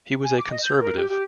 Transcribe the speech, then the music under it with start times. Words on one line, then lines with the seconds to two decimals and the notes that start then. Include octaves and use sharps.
He was a Conservative.
0.24 G#5
0.38 D6
0.50 D#5
0.62 G6
0.78 A#4
0.96 G4
1.08 G4